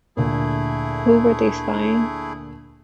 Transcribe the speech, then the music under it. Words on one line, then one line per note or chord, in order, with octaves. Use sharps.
Who were they spying?
D2 A#2 A3 E4 G#4